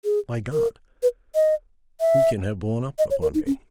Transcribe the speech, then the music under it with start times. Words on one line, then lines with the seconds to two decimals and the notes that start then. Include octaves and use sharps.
By God! who can have blown upon me?
0.04 G#4
0.53 A#4
1.02 B4
1.35 D#5
2.00 E5
2.98 D#5
3.10 C#5
3.22 A#4
3.34 D#4
3.46 C#4